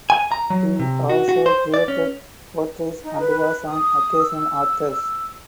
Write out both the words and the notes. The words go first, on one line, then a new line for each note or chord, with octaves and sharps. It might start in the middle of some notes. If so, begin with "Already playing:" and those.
He also created portraits and was an occasional author.
G#5
A#5
F#3
C3
F#4
F#4
C5
D5
C#4
D#4
B4
D#6
E6